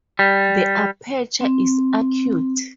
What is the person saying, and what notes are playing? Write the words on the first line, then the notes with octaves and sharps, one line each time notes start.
The aperture is acute.
G3
C4